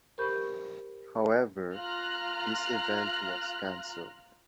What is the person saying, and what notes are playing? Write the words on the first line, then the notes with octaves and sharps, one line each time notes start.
However, this event was cancelled.
G4 A#4 C5 B5 C#6 G6
F4 A#5 F6 F#6